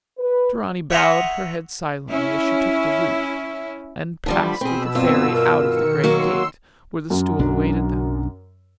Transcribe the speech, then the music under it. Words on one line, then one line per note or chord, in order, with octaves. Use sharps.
Dorani bowed her head silently as she took the lute, and passed with the fairy out of the great gate, where the stool awaited them.
B4
C#5 E5 F#5 A#5 C6 D#6
C#4 E4
D3 F3 G3 B5
B2 C4 G#4 E6
G2 C4 F4
A#4
D#3 C#7
F#3 A#3 F#4 C6 E6
F#2
B1 D4